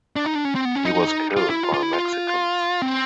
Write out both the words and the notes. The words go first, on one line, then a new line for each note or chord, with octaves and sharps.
He was killed by Mexicans.
D4
D#4
D4
C#4
C4
B3
C#4
D#4
F4
E4
F4
F4
E4
F4
C4